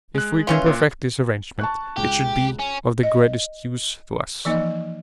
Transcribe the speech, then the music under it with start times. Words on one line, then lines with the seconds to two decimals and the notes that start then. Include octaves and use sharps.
If we can perfect this arrangement it should be of the greatest use to us.
0.15 G#3 F#6
0.47 E3 C#4 F4
0.66 A#2
1.59 A5 C#6 F#6
1.97 C#2 G4
2.59 C#4
3.03 D#5
4.45 E3 F3 A#3 D#4 D#5